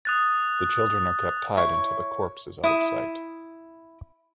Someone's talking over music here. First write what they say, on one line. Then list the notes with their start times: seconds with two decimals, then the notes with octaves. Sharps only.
The children are kept tied until the corpse is out of sight.
0.05 D#6 F#6 A6
1.57 E4 C#5
2.64 E4 D#6